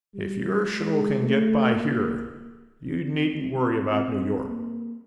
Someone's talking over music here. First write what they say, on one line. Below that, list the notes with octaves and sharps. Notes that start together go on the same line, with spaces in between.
If your show can get by here you needn't worry about New York.
G3
G#3
A3
A#3
C4
C4
C4
A#3